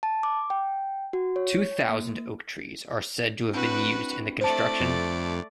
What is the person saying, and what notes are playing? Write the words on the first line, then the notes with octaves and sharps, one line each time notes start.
Two thousand oak trees are said to have been used in the construction.
A5
D6
G5
F#4
C#5
A#3
C4 D4 E4 F#4 B4
A3 C5 D5 A5
F2